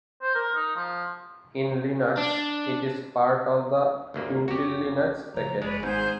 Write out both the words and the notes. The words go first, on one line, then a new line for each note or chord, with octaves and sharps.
In Linux it is part of the util-linux package.
C5
A#4
D#4
F3
D4
G1 D2 A#3
F#1 C4 F#4 G4
C#3 F3 A#5
F#1 G#3 B4 C#5 D5
G#1 G#2 G#4 C5 G6